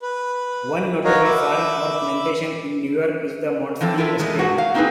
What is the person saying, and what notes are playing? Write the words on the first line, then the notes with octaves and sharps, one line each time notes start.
One notable farm or "plantation" in New York is the Montskill Estate.
B4
D#4 F#4 A#4 C#5 D#5 F5
E5 B5 D6 E6
E3 F3 C4 A4
E4 F4 A#4 E5
E2 G#3 A3
G#2 F#4 F#5
F5
A#3 C4 D#4 E4 G#4 B4